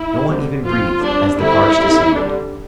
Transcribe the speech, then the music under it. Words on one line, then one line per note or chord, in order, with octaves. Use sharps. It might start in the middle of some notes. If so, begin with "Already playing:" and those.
No one even breathed as the cards descended.
Already playing: E4
D3 G3 C4
F3 C4 F4
G3 C4 D4
D3 G3 C4 E4
D3 G3 C4
D3 G3 D4